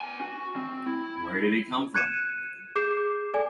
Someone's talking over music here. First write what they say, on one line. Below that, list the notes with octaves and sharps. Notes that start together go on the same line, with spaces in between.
Where did he come from?
B3 G#5
F#4
C4
E4
F#6 G#6 C#7 D#7 E7
G#4 D6 G6 C7 E7
A4 D5 G#5